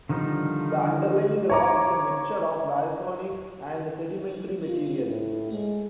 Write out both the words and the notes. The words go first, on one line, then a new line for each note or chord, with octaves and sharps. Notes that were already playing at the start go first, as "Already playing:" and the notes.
The underlying rock is a mixture of volcanic and sedimentary material.
D3 D#3 F3 G3 D#4
C#5 A#5 D6
F4
A2
G#3